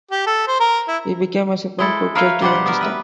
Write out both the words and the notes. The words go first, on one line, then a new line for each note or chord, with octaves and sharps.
He became a supreme court judge during this time.
G4
A4
C5
A#4
E4
G#3 E4 A4
A#4 B4 C#5 E5 F5
B2 G3 D4 G4 C5 F#5
B3 A#4
B4 E5